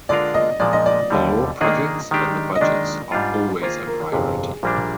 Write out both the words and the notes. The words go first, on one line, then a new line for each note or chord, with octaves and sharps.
The law projects and the budgets are always a priority.
D3 G#3 D4 F4 A#4 D5
D#5
A#2 F3 G#3 D5
D#5
D5
D#2 D3 G3
D#3 A#3 D4 G#4 D#5
D#3 G#3 D4 G4
D#5
D#3 G#3 D4 D5
G#2 G3 D4 F4
D#3 A#3 F4 G#4 C5
A#4
G1 F2 C3 G#4
A#1 A#2 G3 A#3 D4